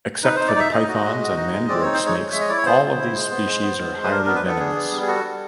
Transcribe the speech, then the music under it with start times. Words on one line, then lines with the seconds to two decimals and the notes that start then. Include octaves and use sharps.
Except for the pythons and mangrove snakes, all of these species are highly venomous.
0.23 D#4 B4
0.36 D#4 C5
0.48 D5
0.56 D#4 E5
0.72 D#4 D#5
0.88 F#4
1.04 G#3
1.20 F#4
1.36 D#4
1.53 G#3
1.69 C4 D5
1.81 D#4 C#5
1.93 C5
2.01 G#3
2.06 C#5
2.17 G#3
2.32 G#3 E5
2.40 D#5
2.49 E4 D5
2.57 C#5
2.66 B3 C5
2.82 B3
2.98 E4
3.15 G#3
3.30 B3
3.46 G#3
3.62 B3
3.79 B3
3.95 G#3
4.04 B4
4.11 D4 A#4
4.26 B3 A#4
4.35 B4
4.43 B3 A4
4.59 D4 G#4
4.75 B3
4.92 G3
5.02 G#4
5.08 F#4 A4
5.24 G3